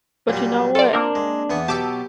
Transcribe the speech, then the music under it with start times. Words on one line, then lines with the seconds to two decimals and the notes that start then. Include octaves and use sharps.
But, you know what?
0.29 A#2 F#3 G3
0.75 F4 A4 D5
0.93 A#3 C4 D4 A#4
1.15 G#3
1.50 E2 B3 C#6
1.68 B2 F#3 B3 G4 A5 D6 E6